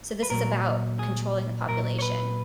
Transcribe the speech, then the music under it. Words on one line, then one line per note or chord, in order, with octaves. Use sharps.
So, this is about controlling the population.
B4
A#2 F#3 A#4
G#4
A#2 F#3 A#4
C#5
B4